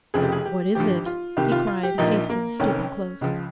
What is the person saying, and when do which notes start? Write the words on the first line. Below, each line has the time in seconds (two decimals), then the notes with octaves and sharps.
'What is it?' he cried, hastily stooping close.
0.14 F1 F2 C#3 F3 G#4
0.23 G4
0.32 G#4
0.46 G4
0.75 G#1 G2 F3 G4
1.06 F4
1.37 C2 C3 D#3 G4
1.52 F4
1.67 F4
1.83 G4
1.98 A#1 A#2 F3 D#4
2.30 A#3
2.59 F1 F2 D#3 C#4
3.21 C#2 C#3 F3